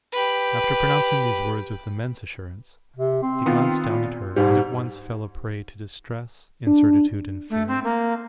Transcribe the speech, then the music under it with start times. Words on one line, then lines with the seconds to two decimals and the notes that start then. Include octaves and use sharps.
After pronouncing these words with immense assurance, he glanced down at her, and at once fell a prey to distress, incertitude, and fear.
0.12 G4 B4
2.96 C3
3.22 C4
3.46 D#3 B3 F4
3.89 A#2
4.36 G#2 G3
6.67 D4
7.50 A3
7.68 C4
7.84 A#3